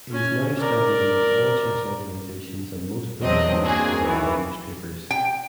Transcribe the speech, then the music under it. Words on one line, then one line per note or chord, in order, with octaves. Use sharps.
It is now standard among all chess organizations and most books, magazines, and newspapers.
C#4 G#5
A#4 D5
E2 F#3 C4 D4 D#5
A#3 C4 D4 F#4 G#4
D#2 D#3 E3
G5